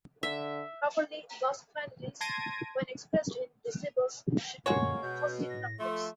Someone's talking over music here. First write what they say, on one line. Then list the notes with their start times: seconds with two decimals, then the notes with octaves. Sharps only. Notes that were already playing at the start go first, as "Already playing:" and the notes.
Properly, loss quantities, when expressed in decibels, should be positive numbers.
0.23 D3 E5
2.21 A5 C6 G#6 A#6 D7 D#7
4.66 F#2 A#2 D3 G#3 A#3 F#4 C#5
5.03 B2 G6
5.49 A2 A#6
5.80 F3 A3 C6